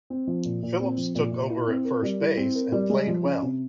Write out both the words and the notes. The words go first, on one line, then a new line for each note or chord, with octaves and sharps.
Phillips took over at first base and played well.
C4
F3
A#2
A#2
C4
F3
A#2
A#2
E4
C4
A#4
G3
E4
C4
A#4
G3
G#3
F3
C#4
C3